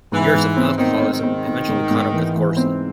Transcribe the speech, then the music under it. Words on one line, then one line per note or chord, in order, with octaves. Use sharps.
Years of alcoholism eventually caught up with Gorcey.
G#2 E3
G#2
C4
D#3 C4
C4
D#3
C4
C4
G#2
G#2
E3
E3
C4